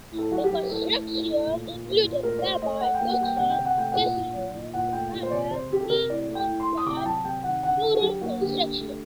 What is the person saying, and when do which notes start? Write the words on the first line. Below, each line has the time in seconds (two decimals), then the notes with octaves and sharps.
The consortium included Gama Endustri Tesisleri Imalat ve Montaj, Nurol Construction.
0.11 A2
0.18 A4
0.31 F#3 F#4
0.44 G4
0.50 F#3
0.69 A2 A4
0.89 A3
1.08 A2
1.27 A3
1.47 A#2
1.66 A#2
1.85 A#3
2.04 A#2
2.23 A3 A#4
2.39 D5
2.42 A3 C5
2.62 A3 D#5
2.81 A3 F#5
2.94 G5
3.00 A#3
3.09 F#5
3.20 G3 G5
3.37 C3 F#5
3.50 G5
3.59 C3
3.65 F#5
3.77 A3 G5
3.92 A#2 F#5
4.17 A#2
4.35 F#3
4.54 A#2
4.73 A#2 F#5
4.93 A3 G5
5.12 A#2
5.23 C5
5.31 C3 D5
5.51 C3 C5
5.71 C3 G4
5.80 A4
5.89 C3 A#4
6.09 A2 D5
6.28 A3
6.35 G5
6.47 A2
6.60 C6
6.66 A2
6.78 D#6
6.86 C3 D6
6.97 G5
7.05 F#3 A5
7.24 C3 G5
7.43 D#3 F#5
7.63 D3 F#5
7.82 D3 A4
7.94 F#4
8.02 F#3 G4
8.21 A#3 F#4
8.40 D3 G4
8.60 D3
8.79 A3